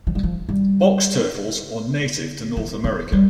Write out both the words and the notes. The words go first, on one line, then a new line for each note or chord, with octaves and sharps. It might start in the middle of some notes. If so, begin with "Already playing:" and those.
Box turtles are native to North America.
F3
G3
F3
G3
F3
D#3
G3